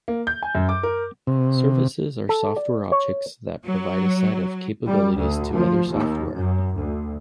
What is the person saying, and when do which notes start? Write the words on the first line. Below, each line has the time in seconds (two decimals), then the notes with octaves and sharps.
Services are software objects that provide a set of capabilities to other software.
0.08 A#3
0.27 G6
0.43 G#5
0.55 F#2
0.69 D6
0.83 A#4
1.27 C3
2.29 A4
2.56 D5
2.92 C#5
3.65 F#3
4.87 G3
5.17 D2
5.54 F3
5.91 D#2
6.34 F#2
6.76 D2